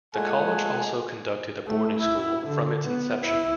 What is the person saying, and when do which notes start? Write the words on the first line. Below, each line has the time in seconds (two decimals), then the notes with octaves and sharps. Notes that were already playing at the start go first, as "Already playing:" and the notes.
The college also conducted a boarding school from its inception.
0.15 A#2 G#3 A3 F#5 G#5
1.66 A3
2.00 E4
2.47 D3
2.88 B3
3.26 E4